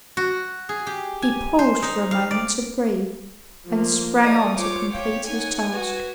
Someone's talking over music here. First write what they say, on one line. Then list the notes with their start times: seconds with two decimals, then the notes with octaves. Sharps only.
He paused for a moment to breathe, and sprang on to complete his task.
0.17 F#4
0.69 G#4
0.87 G4
1.22 G#5
1.59 C5
1.82 D#4
2.11 F5
2.31 D5
3.66 F3 A#3
4.22 D#4 A4 D5 D#5 D#6
4.57 F4 C5 C#5 D6
4.93 G4 C#5 F5 G5
5.28 D#4 C#5 F#5 G#5
5.72 F#4 B4